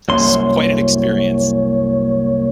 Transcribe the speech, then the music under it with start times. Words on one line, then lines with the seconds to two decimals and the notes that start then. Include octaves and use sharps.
It's quite an experience.
0.09 C2 F#2 A#3 C#5 C6